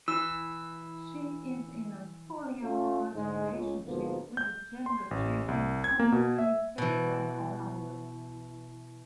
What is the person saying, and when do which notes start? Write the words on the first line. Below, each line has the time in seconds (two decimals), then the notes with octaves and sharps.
She is in a polyamorous relationship with the gender-changing omnisexual Orlando.
0.08 E3 E6
2.63 A3 C#4 F4
3.15 G#2 D3 G#3
3.51 C#2
3.86 D2 G#2 B2 F3 A#3 B3
4.37 G6
4.86 C6
5.11 A1
5.48 C2
5.84 G#6
6.00 A#3
6.12 B2
6.38 E5
6.78 B2 E3